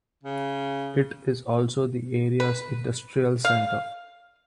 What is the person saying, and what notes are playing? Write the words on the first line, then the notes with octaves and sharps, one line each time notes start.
It is also the area's industrial centre.
C#3
B4
F5